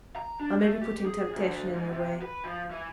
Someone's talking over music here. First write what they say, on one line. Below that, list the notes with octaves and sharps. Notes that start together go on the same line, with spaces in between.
I may be putting temptation in your way.
A#5
D4
A3
G4
G#4
D2
G#2
C3
B4
F3
E3